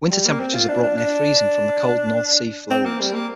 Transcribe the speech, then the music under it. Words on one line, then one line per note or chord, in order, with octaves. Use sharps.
Winter temperatures are brought near freezing from the cold North Sea flows.
G3
A#3
C4
F4
D4
D4
D4
C4
A#3
G3
A#3